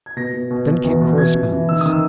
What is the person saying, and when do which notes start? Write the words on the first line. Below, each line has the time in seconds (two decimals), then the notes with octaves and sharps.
Then came correspondence.
0.06 G#6
0.16 B2 A#6
0.33 B2
0.51 B2
0.67 B2
0.84 E2
1.01 B2
1.18 E3 G#6
1.35 E3
1.52 E3
1.69 D#3 E6
1.81 D#3 D#6
1.92 E6